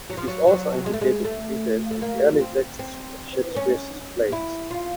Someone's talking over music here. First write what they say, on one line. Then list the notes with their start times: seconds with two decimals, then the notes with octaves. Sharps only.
It is also indicated in details in the early texts of Shakespeare's plays.
0.10 F#3
0.17 F3
0.27 F#3
0.47 F#3
0.86 G#3
0.93 A3
1.01 G#3
1.24 A3
1.91 A3
2.02 A#3
2.41 C4
2.79 C4
3.56 C#4
4.32 E4
4.71 F4